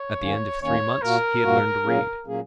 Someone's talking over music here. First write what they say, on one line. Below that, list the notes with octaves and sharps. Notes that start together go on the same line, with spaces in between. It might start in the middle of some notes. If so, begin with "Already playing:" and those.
At the end of three months he had learned to read.
Already playing: C#5
D#2 D#3 A#3 C#4
D#2 D#3 A#3 C#4 C#5
A#2 A#3 F#4 A#4
A#2 A#3 F#4
A#2 F#3 A#3 C#4 G#4
A#2 F#3 A#3 C#4 G#4